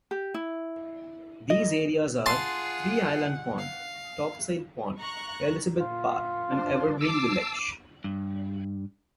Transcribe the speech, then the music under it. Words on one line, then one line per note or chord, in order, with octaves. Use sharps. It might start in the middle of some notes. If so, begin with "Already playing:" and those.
These areas are Three Island Pond, Topsail Pond, Elizabeth Park, and Evergreen Village.
G4
E4
D#5
F4 G#4 F#5 A5 C6
F5
A#5 C#6 F#6
A#2 F4
G3 D4 C5
A5 D6 E6 C7
G2